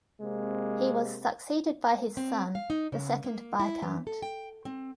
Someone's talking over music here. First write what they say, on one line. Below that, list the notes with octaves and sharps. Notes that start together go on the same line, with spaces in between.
He was succeeded by his son, the second Viscount.
C3 G#3 A#3 C4
C4
F5
D#4
C#3
A#3
E4
E3
A4
G5
C4